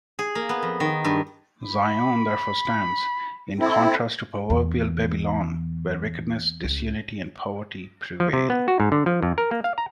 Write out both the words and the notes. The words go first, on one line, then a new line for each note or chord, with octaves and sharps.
Zion therefore stands in contrast to proverbial Babylon, where wickedness, disunity, and poverty prevail.
G#4
A#3
B3
F2
D#3
G2
B5
C4 E4 A4
E2
C#2
F3
C3
B3
F#4
G#2
D3
F3
F2
A#4
A#3
F5
A#5